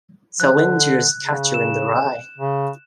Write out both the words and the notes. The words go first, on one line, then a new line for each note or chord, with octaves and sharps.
Salinger's "Catcher in the Rye".
F3 F#6
D3
C#3
E7
C#3